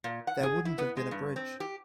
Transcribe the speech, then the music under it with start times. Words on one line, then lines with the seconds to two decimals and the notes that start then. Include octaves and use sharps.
There wouldn't have been a bridge.
0.04 A#2
0.27 F#5
0.43 G#4
0.65 E4
0.78 B3
0.97 G#3
1.11 G2
1.36 C4
1.60 G4